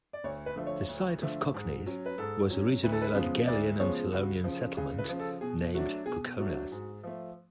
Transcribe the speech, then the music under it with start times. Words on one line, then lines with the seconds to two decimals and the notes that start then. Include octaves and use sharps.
The site of Koknese was originally a Latgalian and Selonian settlement named Kukenois.
0.13 D5
0.24 D2 C#5
0.46 B4
0.56 D3 F3 A3
0.67 C#5
0.88 D2
1.22 D3 F3 A3
1.54 G#2
1.86 F#3 C#4
2.06 B4
2.18 G#2 A4
2.50 F#3 C#4
2.83 D2 B4
2.92 A4
3.01 B4
3.15 C#3 F3 G#3 B3
3.47 D2 D5
3.80 C#3 F3 G#3 B3 C#5
4.12 C#2 F#4
4.44 C#3 F3
4.77 C#2 G#4
4.99 B4
5.09 C#3 F3
5.20 A4
5.41 B2 G#4
5.75 F#3 A3 D4 F#4
6.06 B2 G#4
6.38 F#3 A3 D4 F#4
6.72 G#2
7.04 F3 A3